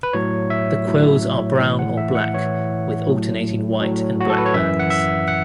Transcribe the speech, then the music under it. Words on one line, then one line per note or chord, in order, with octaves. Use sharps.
The quills are brown or black with alternating white and black bands.
B4
A2 F#3 C#5
E5
A2 F#3
A2 E3
F#5
E5
F#5
A2 E3 C#5
A2 F#3
A2 F#3
F#4
A4
B4
C#5
F#2 E3 E5
F#5
E5
F#5